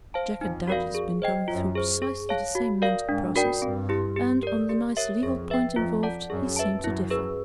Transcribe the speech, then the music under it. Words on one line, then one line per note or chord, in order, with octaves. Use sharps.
Jack had doubtless been going through precisely the same mental process, and, on the nice legal point involved, he seemed to differ.
C5 F5 A5
F2 D#4
F#4 A#4 D5 F5
G#4
C5 D#5 G5
F#2 F4
G#4 C5
G#4
C#5 F5 A5
F#4
A#4 D5 F5
G#2 D4
F#4 A#4 D5 G5
G2 C4
E4 G4
G4
A#4 D5
G4
A#4 C#5 E5
F2 G#4
B4 E5 G5
F2 F4
A4 D5 F#5 A5
F#2 G#4
B4 E5 A5
F#2 E4
G#4 B4